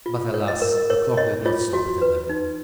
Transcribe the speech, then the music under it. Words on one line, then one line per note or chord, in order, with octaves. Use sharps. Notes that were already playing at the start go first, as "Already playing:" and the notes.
But alas! the clock did not stop at eleven.
F4
C#5
D#5
A#4
A#4 C#5
C#5 D#5
F4 C#5
F#4
B4
D#4